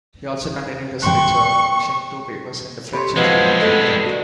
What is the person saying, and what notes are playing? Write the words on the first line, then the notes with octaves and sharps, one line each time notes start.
He also continued his research, publishing two papers in differential geometry.
G5 C6 C#6 F#6
G4 A4 C#5 B5 C6
F3 F#3 G#3 C4 E4 B4 C5 D#5
A3 B3 A4 D#5
G2
D#3 F#4